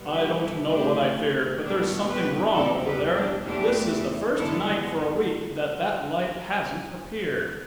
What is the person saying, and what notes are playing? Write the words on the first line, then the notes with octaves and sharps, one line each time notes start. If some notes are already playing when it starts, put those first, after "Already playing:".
"I don't know what I fear; but there's something wrong over there. This is the first night for a week that that light hasn't appeared."
Already playing: B2 G3 B3
G4 B4
E4 A4
A2 A3 D4 G4
E2 B2 G3 B3 D4 G4
G4 B4
E2 B2 G3 A4 D5
G4 B4
D4 G4
E2 E3 A3 D4 G4
G2 D3 B3 E4 A4